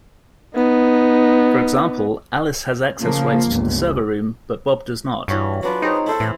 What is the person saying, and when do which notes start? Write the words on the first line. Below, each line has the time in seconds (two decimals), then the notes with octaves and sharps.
For example, Alice has access rights to the server room, but Bob does not.
0.56 B3 D#4
2.98 C#3 F3 A#3
3.48 G1 C#2
5.28 G2 E3 C#4 F#4
5.63 F#3 D4 F4 B4
5.82 C4 D#4 G#4 C#5
6.06 E4 A4 C5
6.20 A2 E3